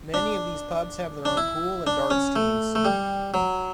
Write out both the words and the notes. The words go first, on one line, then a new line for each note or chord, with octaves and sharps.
Many of these pubs have their own Pool and Darts teams.
D4
D4
E4
D4
C#4
A3
A3
G3
F#3